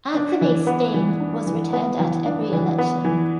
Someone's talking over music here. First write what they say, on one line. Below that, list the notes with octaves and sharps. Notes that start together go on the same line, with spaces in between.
Anthony Steen was returned at every election.
D4
E3
B3
E3
D4
E3
B3
E3
D4
E3
B3
E3